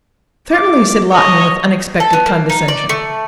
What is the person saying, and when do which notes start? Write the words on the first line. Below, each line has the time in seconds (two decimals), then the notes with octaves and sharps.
"Certainly," said Lawton, with unexpected condescension.
0.52 D6
1.12 C#5 D#5
2.00 A4
2.13 B3
2.26 A#3
2.50 D#4
2.68 D5
2.89 A3